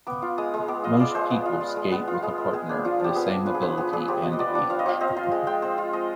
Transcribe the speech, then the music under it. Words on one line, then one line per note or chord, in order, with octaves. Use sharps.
Most people skate with a partner the same ability and age.
B3 D6
F4
G#3 D#6
G#3
B3 D6
F4 D#5
G#3 D5
G#3 C5
B3
F4
G#3
G#3
B3
F4
G#3
G#3
B3 G#4
D4
F3 F4
F3 G4
B3 G#4
D4
F3 B4
G#4
F3 B4
B3 G#4
B4
D4 G#4
F3 G4
F3 D#5
D#5
B3 D5
D4
F3 F5
D#5
F3 F5
C4 D#5
F4 C6
G#3
G#3 G5
C4 C5
F4
G#3 D#5